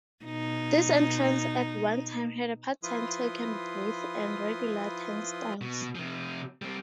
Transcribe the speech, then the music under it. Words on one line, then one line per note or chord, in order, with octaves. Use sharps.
This entrance at one time had a part-time token booth and regular turnstiles.
B2 D#4
F3 E4 F4 B4 C6 D#6
B2
C3 F3
G3 C4